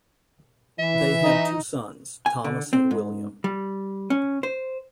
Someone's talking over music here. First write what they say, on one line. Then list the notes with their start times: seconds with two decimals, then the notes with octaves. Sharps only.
They had two sons, Thomas and William.
0.79 E3 E5
1.23 D#4
2.26 G#5
2.45 D3
2.73 C4
2.91 G#2
3.44 G3
4.10 C#4
4.43 C5